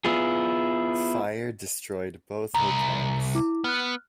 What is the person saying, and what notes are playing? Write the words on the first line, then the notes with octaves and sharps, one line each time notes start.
Fire destroyed both hotels.
B3 E4 F4 G#4
C2 A#5
E4 D6
B3 F6 F#6